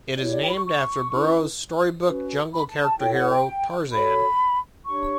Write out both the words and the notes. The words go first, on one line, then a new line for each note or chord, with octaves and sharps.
It is named after Burroughs' storybook jungle character hero, Tarzan.
E4 G4 C#5 D5
D5
G5
B5
C#6
C#6
C#4 E4 B4
C#4 F#4 B4
B5
A5
A5
E4 A4 C#5 G5
F#5
G5
F#4 A4 C#5 B5
D4 G4 C#5 C#6